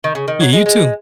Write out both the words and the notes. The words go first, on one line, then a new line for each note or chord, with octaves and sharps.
Yeah, you too.
D#3
C#3
D#3
F#3
G#3
G#3